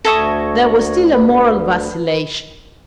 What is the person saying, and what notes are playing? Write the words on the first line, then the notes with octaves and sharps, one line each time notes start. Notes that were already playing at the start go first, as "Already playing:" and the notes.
There was still a moral vacillation.
D2 A4 E5 C#6 D#6 G#6 A#6
B4 B5